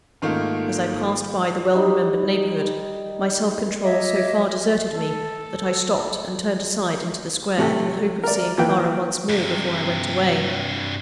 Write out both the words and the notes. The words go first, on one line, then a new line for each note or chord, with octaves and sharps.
As I passed by the well-remembered neighbourhood, my self-control so far deserted me, that I stopped and turned aside into the Square, in the hope of seeing Clara once more before I went away.
G#2 D#3 A3 A#3 F4
G3 D#4
C#5 D#5 E5 D6
A4
A2 C3 A3
A#4 D5
E3 F3 A#3 B4 F5 G5
G2 C3